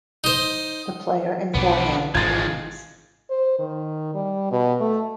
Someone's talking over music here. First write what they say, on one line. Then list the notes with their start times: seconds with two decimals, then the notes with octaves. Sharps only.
The player in forehand leads.
0.24 D#4 C5
1.55 B1 F3 B3 D4
2.15 G#1 F3 G#3 G#6 A6
3.30 C5
3.59 D#3
4.14 G3
4.51 B2
4.81 A3